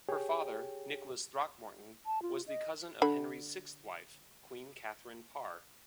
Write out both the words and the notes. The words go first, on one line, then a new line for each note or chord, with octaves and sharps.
Her father, Nicholas Throckmorton, was the cousin of Henry's sixth wife, Queen Catherine Parr.
G4 G#4 C#5 G5
A5
F4
D#5
D3 B5